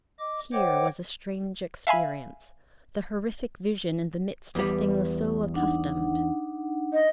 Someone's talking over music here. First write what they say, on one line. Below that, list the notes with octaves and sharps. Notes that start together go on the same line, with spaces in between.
Here was a strange experience--the horrific vision in the midst of things so accustomed.
D#5 D6
C5 C#5 D#5 F#5 G5 D6
E5 F5 G#5 B5
E2 G3 B4
D4 D#4 F#5
D#5